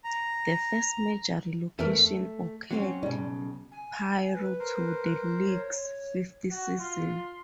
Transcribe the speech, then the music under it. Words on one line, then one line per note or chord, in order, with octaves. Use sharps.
The first major relocation occurred prior to the league's fifth season.
A#5
F2 E3 A3 A#4
F#3 C4 C#4
B1 G#2 C#3 G3
G#5
B4
A#4 C5
C#5
F#4
F4 C6